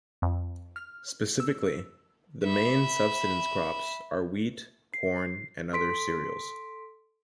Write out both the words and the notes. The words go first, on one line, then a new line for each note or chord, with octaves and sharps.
Specifically, the main subsistence crops are wheat, corn and other cereals.
F2
F6
E6
E5 B5
C7
A4 C6 B6 D7